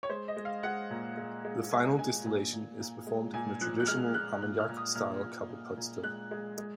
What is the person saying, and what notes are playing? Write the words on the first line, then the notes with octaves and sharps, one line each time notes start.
The final distillation is performed in a traditional Armagnac style copper pot still.
C#5
G#3 C5
D#5
G#3
F5
G#3 F#5
A#2
G#3
G#3
G#3 G#5
G#3 G#5
A#2 G#5
A#2
A#2
G#3
A#2 G#5
F3 F#6
F#6
G#3 F6
G#3 F#6
A#2 F#6
F6
A#2
D#6
A#2 F6
A#2
A#2
A#2
G#3 F#6
G#3
G#3